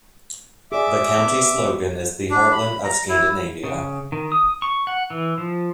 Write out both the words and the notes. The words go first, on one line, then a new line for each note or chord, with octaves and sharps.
The county slogan is "The heartland of Scandinavia".
G#4 D5 E5 D6
B3
D4
B5
A#5
E4
C#3
D#3
D#6
C#6
F#5
E3
F3